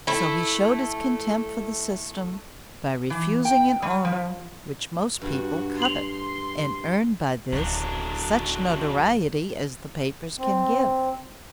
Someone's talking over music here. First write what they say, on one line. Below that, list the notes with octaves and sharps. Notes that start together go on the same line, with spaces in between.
So he showed his contempt for the system by refusing an honour which most people covet, and earned by this such notoriety as the papers can give.
A3 E4
E3
G5
G3
F3
G2 F#4
C6 F7 F#7
D1 F#3 D4
C4